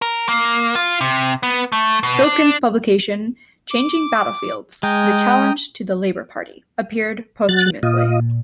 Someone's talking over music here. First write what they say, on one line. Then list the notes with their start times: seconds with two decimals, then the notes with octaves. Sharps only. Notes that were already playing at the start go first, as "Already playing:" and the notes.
Silkin's publication "Changing Battlefields: The Challenge to the Labour Party" appeared posthumously.
0.02 A#4
0.29 A#3
0.75 F4
1.01 C3
1.43 B3
1.72 A3
2.03 B2
2.24 D4
3.71 D6
4.83 G#3 G5 A#5 D#6
7.49 F#3 F#6 A6
7.83 A#2 F4 D#5